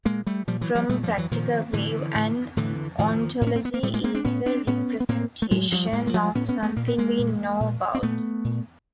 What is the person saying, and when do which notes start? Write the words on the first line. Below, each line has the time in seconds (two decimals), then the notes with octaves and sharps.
From a practical view, an ontology is a representation of something we know about.
0.05 A#2 G#3 A#3
0.27 G3 A3
0.47 A#2 F3 G3
0.61 E3 F#3
0.75 F3 G3
0.89 A#2 G3 A3
1.03 F3 G3
1.17 E3 F#3
1.31 A#2 D#3 F3
1.73 A2 D3 E3
2.15 A2
2.57 A2 D3 E3
2.99 A2 D#3 F3
3.41 A2
3.47 C#4
3.56 C4
3.65 B3
3.74 A#3
3.83 A2 G3 A3
3.94 G#3 A#3
4.04 A#3 C4
4.15 C4 D4
4.25 A2 B3 C#4
4.46 C4 D4
4.67 A2 B3 C#4
5.00 B3
5.09 A2 A#3 C4
5.42 A3
5.51 A2 F#3 G#3
5.72 F3 G3
5.93 A2 G#3 A#3
6.07 G#3
6.14 F3 G3
6.35 A2 B3 C#4
6.49 B3 C#4
6.62 A3 B3
6.76 A#2 A#3
6.88 B3
6.98 G#3 A#3
7.19 A#2
7.60 A#2
7.95 C4
8.03 A#2 A3 B3
8.44 A#2